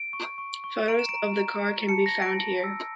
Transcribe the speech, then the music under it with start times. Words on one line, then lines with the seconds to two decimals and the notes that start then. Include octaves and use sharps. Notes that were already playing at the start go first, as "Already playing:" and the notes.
Photos of the car can be found here.
Already playing: D7
0.13 C#6
0.38 C#6
0.64 C#6
0.88 A#5 D7
0.99 E7
1.09 D7
1.14 A#5
1.38 A#5
1.64 A#5
1.89 A5 C#7
2.06 A#6
2.14 A5
2.22 D7
2.39 A5
2.64 E6